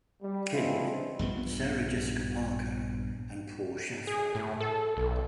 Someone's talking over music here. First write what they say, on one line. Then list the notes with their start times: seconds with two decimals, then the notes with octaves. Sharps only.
King, Sarah Jessica Parker, and Paul Shaffer.
0.22 G3
0.53 E3 G#3 C4 D4 E4 F4
1.19 A#1 G2 F3 B3
4.07 G#4
4.35 A2
4.60 A4
4.97 B1